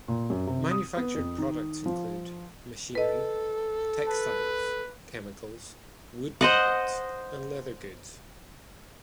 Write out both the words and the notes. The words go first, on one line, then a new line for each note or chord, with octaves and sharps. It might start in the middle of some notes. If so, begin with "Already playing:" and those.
Manufactured products include: machinery, textiles, chemicals, wood products, and leather goods.
A#2
F#2
C3
D#6
B3
F2
D#3
F3
A4 B4 D#5
B4 A5
C5 D#5 F#5